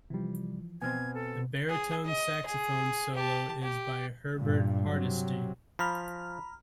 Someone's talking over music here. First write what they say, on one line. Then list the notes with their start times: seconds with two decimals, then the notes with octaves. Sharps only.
The baritone saxophone solo is by Herbert Hardesty.
0.10 C3 E3 F3 G3
0.82 B2 C4 G#5 C6 F6 G#6
1.14 A4
1.69 G#4
2.06 D#5
2.45 G#4
3.15 G4 A5
3.62 G4
4.38 G2 A#2
4.87 C3 F#3
5.79 F3 A#5 B5 F6